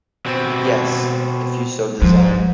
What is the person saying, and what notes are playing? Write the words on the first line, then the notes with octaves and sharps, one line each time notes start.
Yes, If you so desire.
B2 C4
G#2 F3